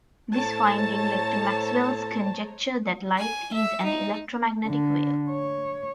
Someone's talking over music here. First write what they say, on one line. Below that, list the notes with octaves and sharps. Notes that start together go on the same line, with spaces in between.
This finding led to Maxwell's conjecture that light is an electromagnetic wave.
A2 A4 C5 C#5 A5 A#5
G#5
E5
D#4
D3
C#5